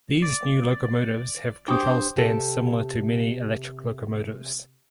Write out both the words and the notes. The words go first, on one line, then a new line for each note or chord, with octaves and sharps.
These new locomotives have control stand similar to many electric locomotives.
D5
F#3 D4 G4 C5 G5 D6 D#6
C3 G4 A4